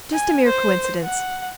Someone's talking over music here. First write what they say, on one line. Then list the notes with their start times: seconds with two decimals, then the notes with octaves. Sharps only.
Just a mere coincidence.
0.12 G#5
0.46 C5
1.03 F#5